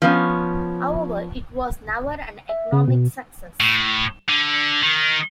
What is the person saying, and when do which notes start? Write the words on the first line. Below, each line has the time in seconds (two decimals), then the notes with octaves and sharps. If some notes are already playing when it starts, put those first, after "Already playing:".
However, it was never an economic success.
0.02 F3 B3 C#4
2.49 E5
2.72 C#3
2.88 B2
3.60 A2
4.29 D3
4.83 D#3